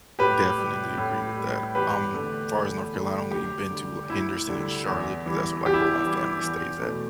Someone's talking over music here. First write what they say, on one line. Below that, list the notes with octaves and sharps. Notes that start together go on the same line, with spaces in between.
Definitely agree with that, um, far as North Carolina, only been to Henderson and Charlotte, 'cause that's, like, where my family stays at,
A2 G4 B4
G3
A2
G3
E2 G4 B4
D3 A3
E2
D3 A3
D2 G4
D3 G3
D2 E4
D3 G3
E2
E3 G3
E2 G4
E4
G4
E3 G3
E2
B2 A3